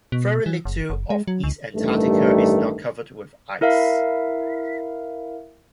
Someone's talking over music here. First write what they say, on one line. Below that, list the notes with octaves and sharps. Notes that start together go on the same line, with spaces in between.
Very little of East Antarctica is not covered with ice.
B2
E3
F#1
F#1
G#3
F#3
C#2
A1 G2 D#3 G3 A3
E4 A#4 E5 F5